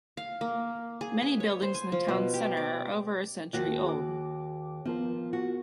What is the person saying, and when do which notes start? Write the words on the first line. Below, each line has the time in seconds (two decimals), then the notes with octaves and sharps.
Many buildings in the town centre are over a century old.
0.17 F5
0.41 A#3
1.01 G#4
1.22 B4
1.40 C#5
1.62 C5
1.74 G#5
1.92 F3
2.08 B2
2.34 G4
2.57 D5
3.53 D#2 F#4
3.84 G#4 D6
4.85 F3 B3 F4 A#4
5.33 F#4